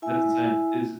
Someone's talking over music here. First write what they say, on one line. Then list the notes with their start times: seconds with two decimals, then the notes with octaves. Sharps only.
That's insane. Is i
0.02 E4 E5 G#5